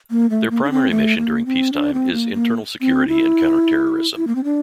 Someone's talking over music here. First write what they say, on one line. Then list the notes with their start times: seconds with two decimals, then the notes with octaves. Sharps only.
Their primary mission during peacetime is internal security and counter-terrorism.
0.11 A#3
0.30 A3
0.50 A#3
0.64 D4
0.71 C4
0.91 A3
1.18 A#3
1.46 C4
1.73 D4
1.93 C4
2.13 A#3
2.34 A#3
2.81 C4
3.08 E4
4.16 E4
4.27 A#3
4.35 C4
4.44 D4